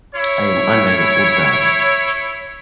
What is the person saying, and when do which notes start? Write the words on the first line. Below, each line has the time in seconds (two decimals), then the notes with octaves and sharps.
I'm under your orders.
0.14 E4 C#5